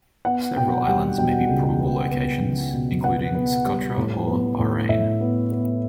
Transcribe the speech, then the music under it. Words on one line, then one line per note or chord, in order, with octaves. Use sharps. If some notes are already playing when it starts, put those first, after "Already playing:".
Several islands may be probable locations, including Socotra or Bahrain.
B3 F#5
B2 G5
G3 F#5
B2 G5
C#2
B3
B3
C#2
B2
B3 F#5
B3
G3
A2
B3
A2
A2 E5
B3
B3